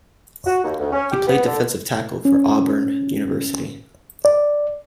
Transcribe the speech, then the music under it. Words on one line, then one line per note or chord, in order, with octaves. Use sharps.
He played defensive tackle for Auburn University.
F#4
D#2
D2
C#4
G4
B3
D3
C#4
D5